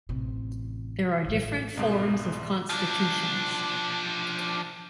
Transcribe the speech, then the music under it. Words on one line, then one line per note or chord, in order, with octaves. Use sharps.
There are different forms of constitutions.
A1 C3
A1 G#2
C2 G#2 B2
F3 D4